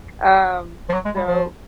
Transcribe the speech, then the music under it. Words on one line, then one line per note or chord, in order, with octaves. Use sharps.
Um, so
F3
F#3
G#3
G3
F3